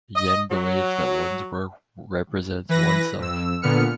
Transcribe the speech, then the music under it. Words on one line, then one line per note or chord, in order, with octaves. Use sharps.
Yen believes that one’s work represents oneself.
D#5
F#3
E3 B4 A#6
F2 E6
A#2 D3 B3 F6 C#7